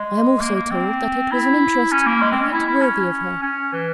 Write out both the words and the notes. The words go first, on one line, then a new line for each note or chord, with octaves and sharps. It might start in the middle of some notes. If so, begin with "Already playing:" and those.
I am also told that it was an interest quite worthy of her.
Already playing: G#3
A#3
A#3
C4
E4
C#4
A#3
G#3
C4
C#4
E4
E4
C#4
C#4
E3